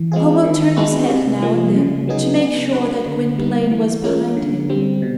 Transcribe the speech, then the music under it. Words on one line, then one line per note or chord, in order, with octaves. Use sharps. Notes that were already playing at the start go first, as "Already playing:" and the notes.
Homo turned his head now and then, to make sure that Gwynplaine was behind him.
Already playing: E3
G#3 C4 F4 G#4
D#3
G#3 B3 D4 F#4
C3
F3 A#3
C#3
F#3 B3 D#4 G#4
B3
D4 F#4 B4
D3
G3 B3 D#4
E3
G#3 C#4 F4 A#4
D3
G3 C4
B2